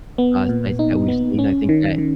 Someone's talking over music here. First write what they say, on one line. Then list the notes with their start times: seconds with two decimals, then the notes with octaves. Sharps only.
uh, sites that we've seen, I think that,
0.18 B3
0.49 A#2
0.79 D#4
1.08 B3
1.39 C#4
1.69 D#3
1.98 D#3